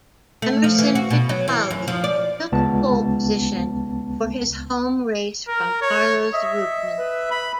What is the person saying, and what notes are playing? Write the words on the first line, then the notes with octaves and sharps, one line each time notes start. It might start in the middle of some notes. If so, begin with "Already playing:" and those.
Emerson Fittipaldi took pole position for his home race from Carlos Reutemann.
A3
F3
E3
F#4
B2
F#3
E3
F#2
F3
D5
C#2 B3 A5
A#4
C#5
D#5 E5
B4
B5